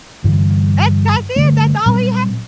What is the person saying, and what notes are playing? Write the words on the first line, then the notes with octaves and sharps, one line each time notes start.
that's that's it! That's all he
G2 D3 E3 G3
G2 D3 A3
A#2 F#3 G3 C4